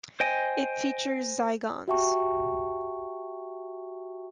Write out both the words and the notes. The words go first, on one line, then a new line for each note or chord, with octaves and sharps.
It features Zygons.
C5 D#5 G5 G#5
F#4 G4 E5 G5 A5 C#6